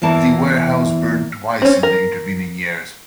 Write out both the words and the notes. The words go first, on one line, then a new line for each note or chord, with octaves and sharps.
The warehouse burned twice in the intervening years.
E2 E3 A#3 A5
C4 C#4
A#4